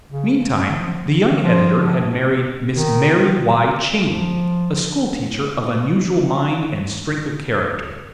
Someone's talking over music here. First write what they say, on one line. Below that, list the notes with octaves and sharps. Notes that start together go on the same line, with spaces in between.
Meantime the young editor had married Miss Mary Y. Cheney, a schoolteacher of unusual mind and strength of character.
C#3
F3
D#3
F3
D#3
F3